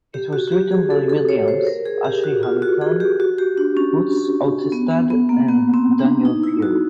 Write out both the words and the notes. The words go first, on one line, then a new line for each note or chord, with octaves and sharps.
It was written by Williams, Ashley Hamilton, Boots Ottestad and Daniel Pierre.
G4
F#4
F#4
G4
G#4
A4
A4
C#5
C5
A#4
G#4
G4
F#4
F4
F#4
G#4
G4
F#4
G4
D4
C#4
B3
B3
B3
A#3
B3
C4
D4
D#4
E4
F#4